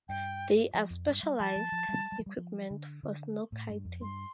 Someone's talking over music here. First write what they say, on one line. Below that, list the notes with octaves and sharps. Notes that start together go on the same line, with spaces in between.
There are specialized equipment for snowkiting.
G2 G5
F3
F2
G2
G3
F3 A5
F3
F3
G3
G3
F3
G3
F3
D3
D3
A2
G2
F2
G2 C6